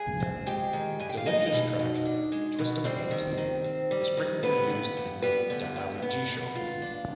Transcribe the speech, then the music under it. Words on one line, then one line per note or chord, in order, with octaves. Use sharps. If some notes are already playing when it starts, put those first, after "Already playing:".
Dillinja's track "Twist Em' Out" is frequently used in "Da Ali G Show".
Already playing: G2 G#4 G#5
C4
G#3 G4 G5
D#3
G2 G#5
G5
F5
G#3 D#4 D#5
B2
B2
D4
G#3
B2
G3 C4 C5
D#3
D#3
C4
G3
D#3
D3 B3 B4
G2
G2
G3 B3 B4
D3
G2
B3
B2
F4
D4